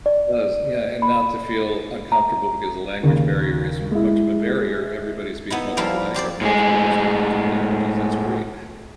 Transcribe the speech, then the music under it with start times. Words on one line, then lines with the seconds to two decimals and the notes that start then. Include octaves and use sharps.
It does. Yeah, and not to feel uncomfortable because the language barrier isn't much of a barrier. Everybody speaks multiple lang or most people speak multiple languages. That's great.
0.06 D5
1.02 B5
2.12 A#5
3.03 D#2 C#3
3.91 G#3 E4
5.50 B3 D#4 E4
5.77 F3 G3 A#3 E4 F4
6.14 C4 G4 C5 D5
6.41 A2 G#3 G#4